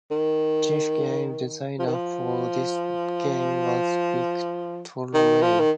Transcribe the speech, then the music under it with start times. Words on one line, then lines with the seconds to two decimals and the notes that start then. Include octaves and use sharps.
Chief game designer for this game was Vic Tolomei.
0.11 D#3
1.79 F3
1.87 D#3
1.94 F3
5.14 D#3
5.42 F3
5.59 D#3